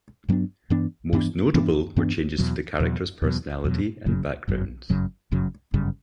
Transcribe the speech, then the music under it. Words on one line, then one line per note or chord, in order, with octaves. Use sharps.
Most notable were changes to the characters' personality and backgrounds.
G2 F#3 B3 D4
G2 E3 B3 D4
G2 E3 B3 D4
G2 E3 B3 D4
G2 E3 B3 D4
E2 B2 F#3
E2 B2 F#3
E2 B2 F#3
E2 B2 F#3
G1 F#2 C#3 F#3
G1 F#2 C#3 F#3
G1 F#2 C#3 F#3
G1 F#2 C#3 F#3
G1 F#2 C#3 G3